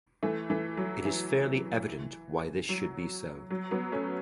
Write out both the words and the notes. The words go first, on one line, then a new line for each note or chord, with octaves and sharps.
It is fairly evident why this should be so.
E3 A3
E3 A3
F#3
E3
F#3
F#3
F#3 B3
A3 C#4